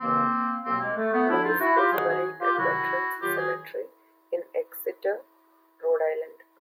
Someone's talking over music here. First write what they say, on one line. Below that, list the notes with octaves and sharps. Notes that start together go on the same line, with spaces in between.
Luz is buried at the Veterans Cemetery in Exeter, Rhode Island.
D#2 C#3 E3 A#3 C4
C2 B2 F#3 A#3 C4
G#3 A#3
A3
A3 B3
D2 D3 F3 D4 E4
D#4 F4
E4 F#4
F4 G4
G#2 D#3 F#3 F#4 G#4
F#4 G#4
F4 G4
C2 C3 D#3 F#3 E4 F#4
F#2 D#3 F#3 F4 G4
F#4 G#4